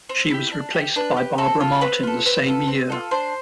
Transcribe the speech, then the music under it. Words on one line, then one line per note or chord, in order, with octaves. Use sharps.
She was replaced by Barbara Martin the same year.
C4
E4 G4
D4
G4
D4 B4
G4
C4 A4
F4 A4
C4 B4
F4 A4
C4 B4
F4 A4
C4
F4 A4
D4 C5